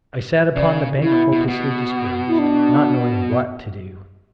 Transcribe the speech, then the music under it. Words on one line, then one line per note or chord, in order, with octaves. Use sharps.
I sat upon the bank hopelessly discouraged, not knowing what to do.
C#3 D5
F#4
C#3 E4
B2
B2
B2
E4
D4